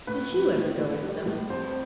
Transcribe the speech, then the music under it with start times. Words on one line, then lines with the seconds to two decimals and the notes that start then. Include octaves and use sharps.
Did you ever go with them?'
0.07 A2 B4
0.32 F3
0.55 A2
0.79 A2
1.03 G3
1.26 A2
1.50 F2 C5